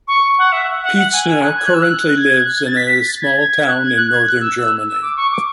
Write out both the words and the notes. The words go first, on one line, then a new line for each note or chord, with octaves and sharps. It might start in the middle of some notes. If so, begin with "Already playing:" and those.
Pietzner currently lives in a small town in northern Germany.
C#6
F#5
E5
F#5
F#5
G#5
G#5
F#6
G#6
F#6
E6
F#6
G#6
F#6
G#6
A6
B6
B6
A6
G#6
G#6
G#6
F#6
G#6
F#6
G#6
F#6
E6
E6
D6
C#6
D6